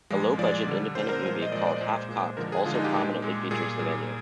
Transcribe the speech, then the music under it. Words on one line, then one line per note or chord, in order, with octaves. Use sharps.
A low-budget independent movie called "Half-Cocked" also prominently features the venue.
A#2 F3 G#3
A#2 F3 G#3 D5
D3 G3
D3 G3 C5
A#4
A#2 F3 G#3 C5
D#5
A#2 F3 G#3 D5
D5
A#2 G#3 C5
A#2 G#3
D3 F3 G#3 A#4
G#4
D3 F3 G#3 F4
D#4
G4
A#2 G#3
A#2 G#3
A#2 G3 G#4
A#2 G3